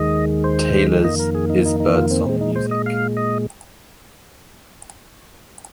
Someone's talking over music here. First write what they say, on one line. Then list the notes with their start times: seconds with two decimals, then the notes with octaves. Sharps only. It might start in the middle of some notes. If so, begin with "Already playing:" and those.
Taylor's 'Is Birdsong Music?
Already playing: D#2 D#3 G#3 D#5
0.44 C5
1.04 F2 D#3 A#3 D#5
1.19 A#4
1.35 G#4
1.50 D#4
1.66 D#4
1.80 D#4
1.95 F4
2.11 C4
2.26 A#2 G#3 C4
2.41 D#4
2.56 C5
2.71 D#5
2.86 F5
3.17 D#5